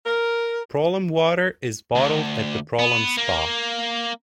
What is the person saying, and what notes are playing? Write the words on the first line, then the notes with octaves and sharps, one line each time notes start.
Prolom water is bottled at the Prolom Spa.
A#4
D2
B3
A#3